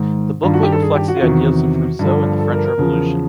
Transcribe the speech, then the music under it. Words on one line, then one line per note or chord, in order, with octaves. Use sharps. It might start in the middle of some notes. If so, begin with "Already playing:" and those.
The booklet reflects the ideals of Rousseau and the French Revolution.
Already playing: G#2 D#3
G2 D#3 F4
F#4
G4
A4
G#4
G4
F#4
F4
E2 C3 D#3 F#4
G2 D3 F3
A4
A#4
A#4
E2 C#3 F3